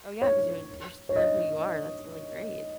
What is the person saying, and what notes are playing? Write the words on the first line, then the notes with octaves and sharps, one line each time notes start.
Oh, yeah, ‘cause you're you're secure of who you are, that's really great.
C#5
C#5
D#5